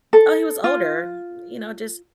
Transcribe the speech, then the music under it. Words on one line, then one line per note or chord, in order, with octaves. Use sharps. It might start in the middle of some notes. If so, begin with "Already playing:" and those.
oh, he was older, you know; just
A4
F4